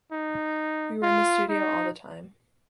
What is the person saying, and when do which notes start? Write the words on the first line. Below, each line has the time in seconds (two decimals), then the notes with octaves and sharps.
We were in the studio all the time!
0.12 D#4
1.03 F4
1.49 D#4